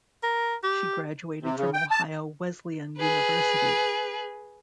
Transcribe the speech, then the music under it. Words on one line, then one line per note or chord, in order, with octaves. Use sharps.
She graduated from Ohio Wesleyan University.
A#4
G4
C3
C#3
G5
A5
G#4 B4